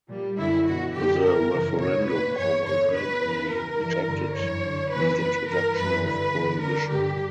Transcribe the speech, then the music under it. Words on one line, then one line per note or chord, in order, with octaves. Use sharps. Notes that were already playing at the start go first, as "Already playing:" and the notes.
The referendum overwhelmingly rejected the introduction of prohibition.
A#2 G3
F#2 D3 E4
E2 B2 F#4
F#2 D3 G4
G2 E3 A#4
F#2 C#3 E3
E2 B2 C#5
A#2 B4
G2 E3 C#5
E2 D3 C#5
E2 B2 B4
E2 C#3 E3
G2 E3 A#4
G2 E3
G2 D3
F#2 E3 C#5
F#2 D3
F#2 C#3 E3 B4
A#2 B4
G2 E3 A#4
F#2 E3 B4
G2 D3 B4
E2 D3
G2 D3 A#4
G2 D3 G4